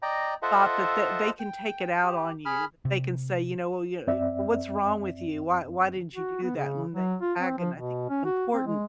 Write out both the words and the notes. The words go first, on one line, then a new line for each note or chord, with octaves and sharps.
thought that th they can take it out on you. They can say, "You know, well, you you, what's wrong with you? Why why didn't you do that?" And they agoni I think important
D5 D#5 G5 A#5
F4 A4 C5 D#5 E5 F#5
G5
G4
G#4 B5 F6
C3
F#2 C4 D5 E5
F#4
B3
C#3
F#3
F4
C4
F3
B2
C#4
F#4
C4
G#3